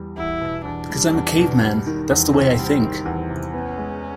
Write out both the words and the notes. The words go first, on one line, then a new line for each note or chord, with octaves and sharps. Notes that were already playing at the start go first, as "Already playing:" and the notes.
Because I'm a caveman -- that's the way I think.
Already playing: E2 G3
E2 E4
B2
E2 D4
G3
E2
B2
G3
D#3
E2 C4
C3
G3
D#3
E2
C3
B3 C#4
G#3